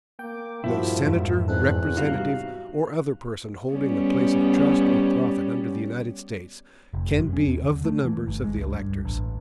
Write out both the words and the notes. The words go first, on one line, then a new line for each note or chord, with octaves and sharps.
No senator, representative, or other person holding a place of trust or profit under the United States, can be of the numbers of the electors.
A#3 G5 D6
G2 A#2 F3 A#3 E4 F#4
F2 G#2
E2 C4 D#4 A4 F#6
C3 G3 D#4 F#4 F5
G3 B3 C#4
F1
F#2
C#4
D#2
D3
A3
E3
G1
G#3
C#2
G2
A1